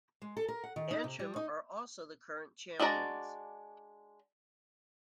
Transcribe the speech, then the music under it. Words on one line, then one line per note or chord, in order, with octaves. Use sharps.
Antrim are also the current champions.
G#3
A4
A#4
F#5
D#3
D#4
C3
G3
D#4
G#3 D4 F#4 D5 A#5